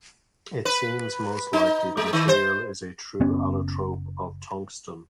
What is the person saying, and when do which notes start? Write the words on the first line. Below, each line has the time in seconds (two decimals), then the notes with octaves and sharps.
It seems most likely the material is a true allotrope of tungsten.
0.65 B4
1.53 D#4
1.97 G#3
2.13 D#3
2.29 C5
3.20 F#1 B3 C#4